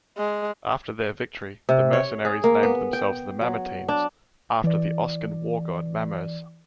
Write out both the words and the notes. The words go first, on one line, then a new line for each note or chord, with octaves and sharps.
After their victory, the mercenaries named themselves the Mamertines after the Oscan war-god Mamers.
G#3
C3
C#5
G#4
A#3
B3
G5
F#3
D4
E3 D5